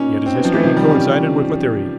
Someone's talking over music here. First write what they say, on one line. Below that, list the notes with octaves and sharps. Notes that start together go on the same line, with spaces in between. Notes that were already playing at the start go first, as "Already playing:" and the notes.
Yet his history coincided with my theory.
Already playing: A#2 C#4 D#4
C4
B3
F3
E3
C3 D#3 F3
G3
C#4